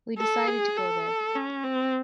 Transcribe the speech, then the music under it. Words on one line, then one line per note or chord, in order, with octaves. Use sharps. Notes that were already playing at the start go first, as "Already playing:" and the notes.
We decided to go there.
A4
G#4
A4
C#4
C4